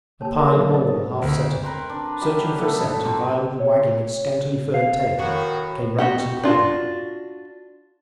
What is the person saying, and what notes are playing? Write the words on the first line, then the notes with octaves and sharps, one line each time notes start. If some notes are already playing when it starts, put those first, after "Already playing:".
A pied mongrel half-setter, searching for a scent and violently wagging its scantily furred tail, came running to the cordon.
A#3 G4 C#5 A5 A#5
G#4 A#4 C#5 E5
F#3
A#4 C5 C#5 D#5 D#6
D2
C4 A#4 B4
D4
F#3 G3 E4 G4
A3 B3 A4
F#3 A#3 C4
C#5
F5
A2 D#3 F#4
F#4 G4 F#5
D4 F4 F#4